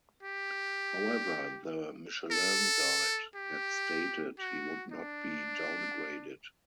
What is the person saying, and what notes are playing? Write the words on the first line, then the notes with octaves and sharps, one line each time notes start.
However, the Michelin guide had stated he would not be downgraded.
G4
A4
G4
F#4
D4